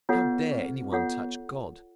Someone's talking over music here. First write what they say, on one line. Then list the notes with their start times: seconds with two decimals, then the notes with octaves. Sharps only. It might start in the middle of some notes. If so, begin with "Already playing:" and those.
How dare any one touch God?
0.09 B3 F4 A4 C#5 F#5
0.51 C4
0.92 B3 F4 A4 C#5 F#5